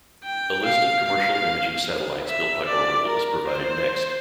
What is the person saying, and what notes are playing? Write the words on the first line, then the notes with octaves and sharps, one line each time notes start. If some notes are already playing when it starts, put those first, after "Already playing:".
A list of commercial imaging satellites built by Orbital is provided next.
G5
F5
F5
E5
D5
A#4
C5